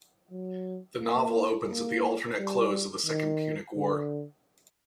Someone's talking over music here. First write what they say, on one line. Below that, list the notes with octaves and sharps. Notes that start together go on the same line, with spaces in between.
The novel opens at the alternate close of the Second Punic War.
F#3
A#3
A#3
G3
D#3
D3